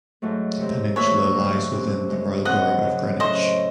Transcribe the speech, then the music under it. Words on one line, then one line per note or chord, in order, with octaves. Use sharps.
The peninsula lies within the Royal Borough of Greenwich.
G#2 F#3 A3
C3 D#3 G#3
D#2 D#3 A3 C#5 E5
D#2 C#3 F#3
C3 F#3 C#4
C#3 G#3 C#4
F#2 D#3 F#3 C4 D#5 F#5
C#3 F#3 C#4
A2 F#3 C#4 E4 C5 D#5